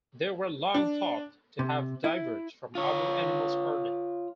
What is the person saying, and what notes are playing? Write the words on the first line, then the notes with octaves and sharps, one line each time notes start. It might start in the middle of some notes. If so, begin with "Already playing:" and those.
They were long thought to have diverged from other animals early.
D4
C3
E4
F4 C#5